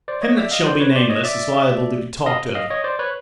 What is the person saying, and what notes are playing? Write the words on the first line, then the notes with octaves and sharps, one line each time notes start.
Him that shall be nameless is liable to be talked over.
C5 D5
C#5 D#5
D5 E5
D#5 F5
C5 D5
B4 C#5
C5 D5
C#5 D#5
D5 E5
D#5 F5
D#5 F5
C#5 D#5
C5 D5
B4 C#5